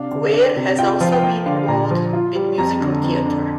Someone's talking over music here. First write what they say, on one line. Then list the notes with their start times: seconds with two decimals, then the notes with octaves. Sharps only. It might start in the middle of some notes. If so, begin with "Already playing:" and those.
Guare has also been involved with musical theatre.
Already playing: C3 D4 F5
0.11 D3
0.33 D4
0.56 C3
0.78 F4 G5
0.90 G5
1.00 F3 F5
1.12 G5
1.23 A#3 G5
1.46 D3 F5
1.68 A#2 A#5
1.91 F3
2.13 F4
2.35 G3
2.58 F2 A#5
2.81 D3
3.03 F2
3.26 D3